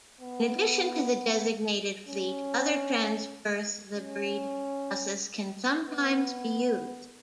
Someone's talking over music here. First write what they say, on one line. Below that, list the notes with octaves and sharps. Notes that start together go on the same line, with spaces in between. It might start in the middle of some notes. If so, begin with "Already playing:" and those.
In addition to the designated fleet, other Transperth liveried buses can sometimes be used.
B3
C#4
C#4
B3